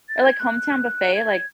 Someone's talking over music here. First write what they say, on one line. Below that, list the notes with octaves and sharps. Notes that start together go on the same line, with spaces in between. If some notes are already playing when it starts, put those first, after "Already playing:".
Or, like, Hometown Buffet, like
A6
G#6
F#6
G#6